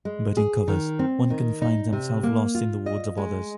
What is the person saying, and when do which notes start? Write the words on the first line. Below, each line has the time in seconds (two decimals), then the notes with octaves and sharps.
But in covers one can find themself lost in the words of others.
0.05 G#3
0.37 G#4
0.68 D#3
0.99 C4
1.30 D#3
1.62 D#4
1.92 C3
2.23 A#3
2.55 F4
2.86 D#5
3.17 G#3